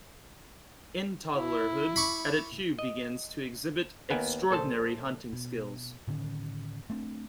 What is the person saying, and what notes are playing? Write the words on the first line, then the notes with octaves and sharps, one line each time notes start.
In toddlerhood, Edechewe begins to exhibit extraordinary hunting skills.
E4
B5 C#6 D6
D#5
D#2 B3 A#4 G#5
A#1 A4 C5 A5
B2
A2 D3 D#3 C#4
A3 C4 D4